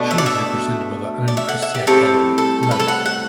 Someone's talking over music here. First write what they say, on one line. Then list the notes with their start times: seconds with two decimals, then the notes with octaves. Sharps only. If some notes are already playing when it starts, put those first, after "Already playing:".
She is represented by the Alan Cristea Gallery, London.
Already playing: B2 A3 D4
0.11 E5
0.18 D5
0.26 E5
1.28 D5
1.37 E5
1.49 F#5
1.62 E5
1.75 G4
1.87 A2 G3 C4 A4
2.38 A4
2.63 A4
2.71 B4
2.80 A4
2.88 F#5
3.06 F#5